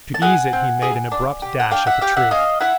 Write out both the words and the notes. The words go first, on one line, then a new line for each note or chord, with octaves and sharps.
To ease it he made an abrupt dash at the truth.
A5
E4 G#4 F#5 G#5
C4
E4 G#4
D4
G4
F#5
D4 F5 G5
E5 F#5
G4 F5 G5
E5 F#5
C#4 D#5 F5
E4 E5 F#5